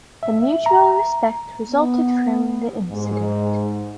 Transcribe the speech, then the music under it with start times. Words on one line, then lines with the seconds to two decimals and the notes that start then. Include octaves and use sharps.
A mutual respect resulted from the incident.
0.23 E5
0.66 A#5
1.68 B3
2.90 G#2